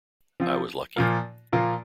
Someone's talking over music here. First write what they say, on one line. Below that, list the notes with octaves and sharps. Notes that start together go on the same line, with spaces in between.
I was lucky.
F3 C4 F4
A#2 F3 A#3 F4 A#4
A#2 F3 A#3 F4 A#4